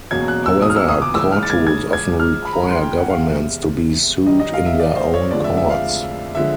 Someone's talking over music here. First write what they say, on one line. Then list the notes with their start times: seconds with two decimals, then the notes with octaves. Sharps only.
However, court rules often require governments to be sued in their own courts.
0.11 E2 B2 F#3 A#3 C#4 G#6
0.28 F#6
0.46 E6
0.62 D#6
0.70 F6
0.76 E6
0.88 D#6
1.02 D6
1.14 C#2 C#3 E3 G#3 E6
1.32 F6
1.43 A6
1.50 G#6
1.67 G#6
1.93 G#6
2.19 G#2 F3 G#3 F6
2.45 B5
2.53 A#5
2.61 B5
2.70 C6
2.83 G5
2.98 F#5
3.10 F5
3.23 E1 E2 C3 E5
4.26 F#2 D#3 G3 D#5
4.40 D#5
4.54 F5
4.66 E5
4.80 D5
4.96 C5
5.14 C#5
5.31 F1 D#2 D3 F3 G#3 D5
5.44 E5
5.57 E5
5.70 F5
6.35 D3 F3 G#3 E5